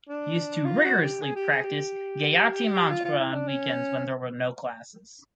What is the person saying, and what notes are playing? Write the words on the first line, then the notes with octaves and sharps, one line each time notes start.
He used to rigorously practice Gayatri Mantra on weekends when there were no classes.
D4
F4
F#4
G4
G#4
G4
G#4
G4
F4
F4
E4
D4
C#4